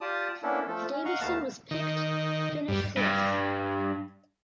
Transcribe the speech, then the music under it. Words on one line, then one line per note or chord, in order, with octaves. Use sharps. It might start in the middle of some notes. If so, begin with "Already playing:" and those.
Davidson was picked finish fourth.
F4 G4 D5 A5 D#6
A#3 B3 C#4 D4 E4 A4
F3 A3 A4
C#4
D#5 F5 F#5 A#5 C#6
D#2 A3 B3 F5 A5 A#5
D#3
G2
G2